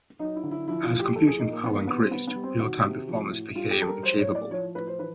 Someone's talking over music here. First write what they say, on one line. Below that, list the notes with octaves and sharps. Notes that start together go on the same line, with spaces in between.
As computing power increased, real-time performance became achievable.
F#3 D#4
E4
D3
E4
F3 E4
F4
A2
G4
F3 A4
G#4
A#2 D#4
A#3
E3 B3
A#3
C3 B3
C4
G3 B3
B3
G3
C4
D#3 F#4
C3
F3
A2
G3 F4
G4
G3 A4
A#4
F#3 C5
C#5
A2
D5
F3 C#5
A2 B4
C5
E3 B4